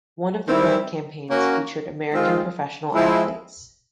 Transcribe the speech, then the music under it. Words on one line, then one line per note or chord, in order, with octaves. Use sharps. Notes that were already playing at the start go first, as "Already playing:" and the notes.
One of the brand campaigns featured American professional athletes.
D#3 G3 C4 E4
A#3 C#4 F#4
D#3 G#3 C4 F4
F3 G#3 C4 E4